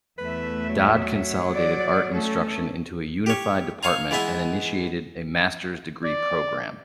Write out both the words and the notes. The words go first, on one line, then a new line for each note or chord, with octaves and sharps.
Dodd consolidated art instruction into a unified department and initiated a master's degree program.
E2 A3 B4 E5
F#3
D5
A3 C#4 A4
G4 C#5
C#5 F5 G#5 A#5
E3 G#3 B3 D#5 E5
D5